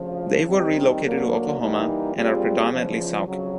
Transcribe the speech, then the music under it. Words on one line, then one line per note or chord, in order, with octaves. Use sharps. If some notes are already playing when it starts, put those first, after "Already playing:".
They were relocated to Oklahoma and are predominantly Sauk.
Already playing: D2 C#3 F3
D#3 G3 C4 D#4 G4
D3 F#3 A#3
E3 G3 A#3 D#4
A#2 G3 C4 F4 G#4
E2 C#3 F3
F2 C#3 F#3